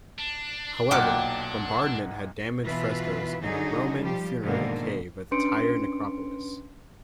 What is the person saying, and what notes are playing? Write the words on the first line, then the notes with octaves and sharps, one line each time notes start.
However, bombardment had damaged frescoes in a Roman funerary cave at the Tyre Necropolis.
D4
B1 A#2 F#5 G5 D6 F6 F#6
B2 E3 F4 B4 E5
D3 F#3 D#4 G#4
F3 G3 G4
G#2 B2 D3 D#3 F3 A#3
C#4 D4 B4 C6 C#7 D7